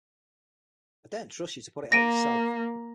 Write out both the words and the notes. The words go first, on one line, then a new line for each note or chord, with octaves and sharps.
I daren’t trust you to put it out yourself.
A#3 A#6 D7 D#7